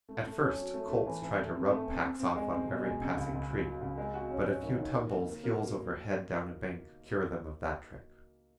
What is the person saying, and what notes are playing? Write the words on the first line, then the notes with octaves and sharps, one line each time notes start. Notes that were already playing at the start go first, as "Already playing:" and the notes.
At first colts try to rub packs off on every passing tree, but a few tumbles heels over head down a bank cure them of that trick.
A3
A3
C#4
F#3
A3
A3
E3
E3
A3
C4
A3
C4
C4
C4
G#3
C4
B2
G#3
C#3
C#2
C#2
F#3
F#3
C#2
G#3
F#4
C#4
C#4
D#3
D#3
A#3
A#3
A#3
A#3
F#3